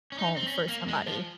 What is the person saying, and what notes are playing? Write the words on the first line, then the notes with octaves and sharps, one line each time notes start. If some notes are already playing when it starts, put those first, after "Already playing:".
home for somebody.
C#4
D#4
C4
C#4
A#3
G#3
F3